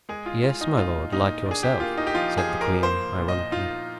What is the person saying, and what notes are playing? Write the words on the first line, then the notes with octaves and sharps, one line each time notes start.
"Yes, my lord, like yourself!" said the queen, ironically.
G#3 G#4
F4
G#3 F4
D#4
A#2 F4
A#2 D#4
D4
G#4
G4
A#3 F4
D#4
G4
F3 F4
G#4
F3
A#4
A#3 C5
A#2
D#5
D#4 F4